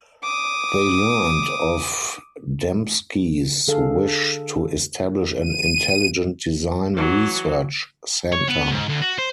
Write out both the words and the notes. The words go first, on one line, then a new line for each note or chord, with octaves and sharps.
They learned of Dembski's wish to establish an intelligent design research center.
D6 D#6
D3 G#4 A4 F5
D#7
E3 F#3
C#5
B3
G#2
D2
F#4
C5